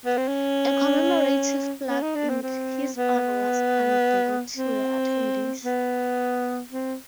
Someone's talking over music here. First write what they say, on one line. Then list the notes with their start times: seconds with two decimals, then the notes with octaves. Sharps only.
A commemorative plaque in his honor was unveiled to the attendees.
0.06 B3
0.17 C4
0.28 C#4
1.89 C#4
2.02 D#4
2.15 D4
2.29 C4
2.43 C4
2.96 B3
4.57 C4
5.65 B3
6.71 C4